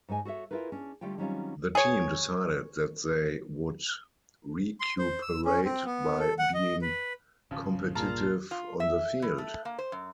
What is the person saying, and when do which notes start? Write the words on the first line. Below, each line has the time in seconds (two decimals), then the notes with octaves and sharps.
The team decided that they would recuperate by being competitive on the field.
0.09 G#2 G#3 D#5 G#5
0.25 F#4 A4 C#5 E5
0.51 E4 F4 G#4 A#4 B4
0.72 C#4 D4
1.01 D3 G3 A3 F4 G5
1.18 D#3 F#3 G3 C4 C#4 F4
1.75 G#4 C#5
4.80 C6
4.99 C5
5.22 E6
5.45 C#4
5.65 C4
5.85 B3
6.19 A4
6.39 F#5
6.54 D#5
6.82 B4
7.51 G#1 C#3 F3 C#4
7.95 C2 G2 A#2 F4 G#4 A5 A#5
8.51 F4
8.80 E5
9.22 E3
9.38 A3
9.65 A#3
9.79 C5
9.92 F#2